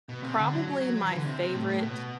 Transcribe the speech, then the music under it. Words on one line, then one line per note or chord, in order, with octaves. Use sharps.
probably my favorite
B2
C3
D3
F#3
F#3
F#3
F#3
E3
D3
C3
C3
A2
A2
B2